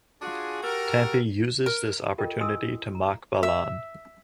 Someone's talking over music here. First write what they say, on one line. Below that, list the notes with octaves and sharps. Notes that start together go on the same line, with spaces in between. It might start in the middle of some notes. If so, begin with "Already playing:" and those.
Thampi uses this opportunity to mock Balan.
D4 F4 F#4 G#4
F#4 G4 A4 A#4
A#4
F4 G4 A4 A#4 D#5 G5
E4 D#5 G#5 C6 D#6 E6
A#5
E5